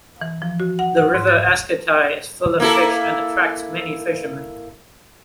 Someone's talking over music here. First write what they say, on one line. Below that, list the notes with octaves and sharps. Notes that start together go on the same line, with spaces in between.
The river Escotais is full of fish and attracts many fishermen.
E3
F3
F#4
F#5
F#5
G#2
A6
A#3 E4 A4